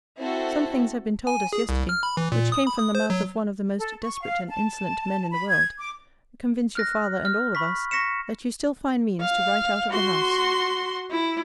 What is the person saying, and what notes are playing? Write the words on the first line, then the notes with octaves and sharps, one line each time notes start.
Some things have been told us yesterday, which came from the mouth of one of the most desperate and insolent men in the world, convince your father, and all of us, that you still find means to write out of the house.
C4 E4 F#4 A4
G#5
G#4
C2
F6
B5
E3
A#2
D#6
B5
D#6
C5
F#3
A4
C#6
F5
A5
B5
G#6
D6
F6 F#6 A#6
F6
B5 C#6 B6
C#6 A#6 B6 C#7 E7
F5
F#4 C6
E4